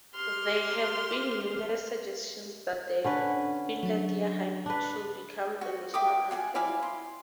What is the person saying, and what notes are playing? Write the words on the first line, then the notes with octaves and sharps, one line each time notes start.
There have been numerous suggestions that the "Finlandia Hymn" should become the national anthem.
G4 C6 F6
D3 C#4 B4
F#3 D4
D4 B4
F#4
E5 G5 D6 D#6
F4 F#5 G#5
E4 D5 F5 G#5
C6